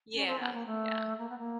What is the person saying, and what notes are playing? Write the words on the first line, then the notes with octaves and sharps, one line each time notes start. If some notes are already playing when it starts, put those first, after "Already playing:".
Yeah. Yeah.
C#4
C4
B3
A#3
A3
A#3
B3
A#3